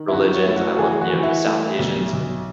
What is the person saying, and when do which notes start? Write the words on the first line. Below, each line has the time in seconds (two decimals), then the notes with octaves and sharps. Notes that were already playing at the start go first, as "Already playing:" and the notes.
religions, I love, you know, the South Asians,
Already playing: D#3
0.08 E4
0.13 F#2 F#4
0.34 C#5
0.46 A3 E4
0.56 F#4
0.76 A4
0.79 E3 G#4
0.93 G#4
1.01 F#4
1.13 E3
1.23 E4
1.46 A3 E4
1.79 B1
2.13 B1